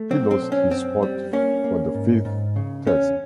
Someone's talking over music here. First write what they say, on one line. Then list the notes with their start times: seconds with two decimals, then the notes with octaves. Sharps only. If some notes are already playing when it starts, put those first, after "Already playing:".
He lost his spot for the fifth test.
Already playing: A3
0.10 F#3 C4
0.31 C4
0.41 B1
0.52 C#4
0.71 F#2 C4
1.03 G3
1.33 A#3 C#4
1.64 A#3
1.94 G#2
2.25 G#2
2.56 C#3
2.87 E2 C#4